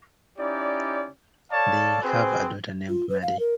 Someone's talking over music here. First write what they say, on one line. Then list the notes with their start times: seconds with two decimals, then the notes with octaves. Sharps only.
They have a daughter named Maddie.
0.39 C#4 D#4 E4 G4 D5
1.52 A4 C#5 D5 F5 A5
2.03 C4 F#4 G#4 B4 C5 G#5
2.89 F4
3.09 B4
3.22 F5
3.39 A#4